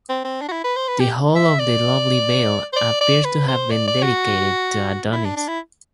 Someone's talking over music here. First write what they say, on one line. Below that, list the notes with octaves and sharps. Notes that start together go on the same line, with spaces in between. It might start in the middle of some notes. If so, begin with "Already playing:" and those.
The whole of the lovely vale appears to have been dedicated to Adonis.
C4
C4
D4
F#4
E4
B4
C5
B4
G4
E5
D5
C5
D5
D5
B4
C5
D5
D5
F#4
E4
D4
D4
E4